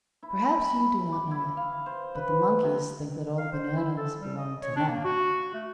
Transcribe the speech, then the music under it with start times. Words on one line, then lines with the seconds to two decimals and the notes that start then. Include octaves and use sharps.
Perhaps you do not know it, but the monkeys think that all the bananas belong to them.
0.23 E4
0.64 B5
1.12 D6
1.31 E4
1.57 F5
1.86 C5
2.15 B4
2.64 C3
3.38 F5
3.52 C5
3.76 E4
3.96 A4
4.20 G3
4.37 D#5
4.62 C#5
4.76 D4
4.89 A#3
5.05 F#4
5.54 A3